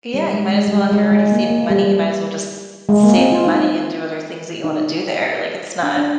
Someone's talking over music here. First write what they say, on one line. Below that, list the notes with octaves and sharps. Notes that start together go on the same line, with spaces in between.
Yeah, you might as well if you're already saving your money, you might as well just save the money and do other things that you wanna do there, like, it's not
G3
G#3
G#3
G3
G#3
G#3
G#3
A#3
A#3
G3
G#3
A#3
C4
F4
D#4
D#4
D4
D4